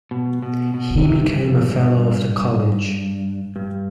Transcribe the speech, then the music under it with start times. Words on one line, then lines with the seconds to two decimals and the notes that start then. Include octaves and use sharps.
He became a fellow of the College.
0.11 B2
0.42 B2
0.74 B2
0.98 C3
1.21 G2
1.44 F2
1.69 G2
1.76 G#2
1.84 G2
3.56 G2